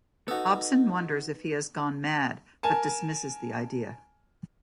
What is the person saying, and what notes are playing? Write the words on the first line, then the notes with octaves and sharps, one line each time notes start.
Hobson wonders if he has gone mad, but dismisses the idea.
B3 D#4 F#4 A4
A#4 G#5 A5